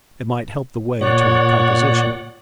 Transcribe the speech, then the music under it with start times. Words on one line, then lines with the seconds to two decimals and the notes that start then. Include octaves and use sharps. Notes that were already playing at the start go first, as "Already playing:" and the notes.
"It might help the way to a composition."
1.01 A#2 C#5 D5 F#5